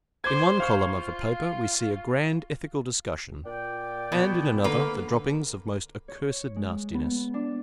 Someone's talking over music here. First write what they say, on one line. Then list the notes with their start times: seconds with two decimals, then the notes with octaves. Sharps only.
In one column of a paper we see a grand ethical discussion, and in another the droppings of most accursed nastiness.
0.24 C5 D6 G#6
0.60 F5 C#6
0.93 F4
3.44 A#2 D5 G5
4.12 B2
4.64 D3 A#3 B4
6.08 C#5
6.56 G#3
6.94 B3
7.34 D4